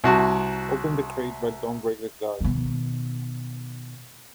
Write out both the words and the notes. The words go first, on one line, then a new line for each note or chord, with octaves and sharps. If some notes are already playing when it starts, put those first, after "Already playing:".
Open the crate but don't break the glass.
C2 F#4 A5
B2 D#3